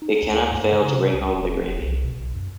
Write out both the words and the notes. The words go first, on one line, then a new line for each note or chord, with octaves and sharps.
It cannot fail to bring home the gravy.
D#4
D2
G2
C#3
C3
C#2
E1
E1
C2
B2
B1
F#2